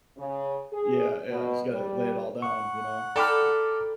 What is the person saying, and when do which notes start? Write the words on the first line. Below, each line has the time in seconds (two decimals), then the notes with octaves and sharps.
Yeah, yeah, you just gotta lay it all down, you know? Like
0.17 C#3
0.72 G#4
1.29 B2
1.71 G3
2.42 F#5 C#6
3.16 A4 D5 G5 A#5 B5 D6 F6